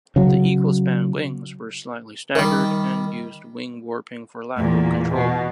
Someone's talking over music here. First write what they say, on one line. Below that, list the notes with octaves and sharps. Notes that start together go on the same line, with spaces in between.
The equal-span wings were slightly staggered and used wing warping for lateral control.
C#3 F#3
D#3 G3
E2 A#2
B2